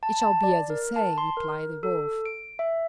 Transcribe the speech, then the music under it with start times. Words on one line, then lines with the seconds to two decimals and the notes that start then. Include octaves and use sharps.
"It shall be as you say," replied the Wolf.
0.03 A5
0.22 A5
0.43 D5
0.70 A#4
0.96 A5
1.18 C6
1.37 A#4
1.83 A4
2.25 D7
2.59 E5